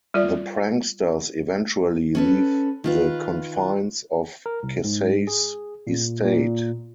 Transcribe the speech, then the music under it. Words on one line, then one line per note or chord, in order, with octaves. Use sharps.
The Pranksters eventually leave the confines of Kesey's estate.
G3 F4 D5
C#4 A4 B4
D#3 F4 B4
A#4
C2
G#2
G#4
A#2
A#2